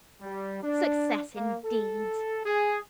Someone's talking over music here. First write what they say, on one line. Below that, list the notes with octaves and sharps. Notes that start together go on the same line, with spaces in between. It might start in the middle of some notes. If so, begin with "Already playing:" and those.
Success indeed!
G3
D4
A#3
A4
G#4